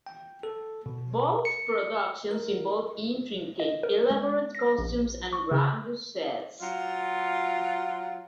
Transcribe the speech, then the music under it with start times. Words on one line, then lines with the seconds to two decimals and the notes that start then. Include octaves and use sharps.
Both productions involve intricate, elaborate costumes and grandiose sets.
0.07 G5
0.43 A4
0.86 B2
1.45 C#7
2.31 A#4
3.60 D#5
3.83 A#4
4.11 G#3
4.55 A#6
4.79 A#1
5.33 C#6
5.51 C#3
6.60 F#3 F4